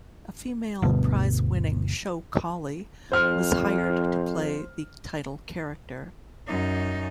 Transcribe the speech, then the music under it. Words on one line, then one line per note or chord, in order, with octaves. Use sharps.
A female prize-winning show collie was hired to play the title character.
G1 D2 B2
F2 C5 F6
F#2 D#4